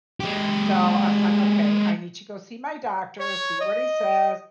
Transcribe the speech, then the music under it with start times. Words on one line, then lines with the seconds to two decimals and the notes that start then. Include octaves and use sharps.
So, I was like, "Okay, I need to go see my doctor, see what he says,"
0.20 G#3 G4
3.19 C#5
3.60 D#5